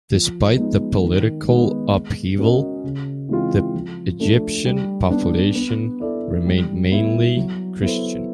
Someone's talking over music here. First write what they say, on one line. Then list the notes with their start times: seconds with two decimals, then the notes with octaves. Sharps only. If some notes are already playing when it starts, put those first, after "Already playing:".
Despite the political upheaval, the Egyptian population remained mainly Christian.
0.13 F3
0.57 G#3 B3 D#4
1.02 D#3
1.48 G#3 B3 D#4
1.93 G#3
2.38 C#4 F#4 A#4 D#5
2.84 C#3
3.29 E3 G#3 C4 F4
3.75 F3
4.20 A3 D4
4.65 G3
5.10 B3 D4
5.55 B3
6.00 E4 A4 D5
6.46 G3
6.91 B3 E4
7.37 F#3
7.81 B3 E4 A4 C5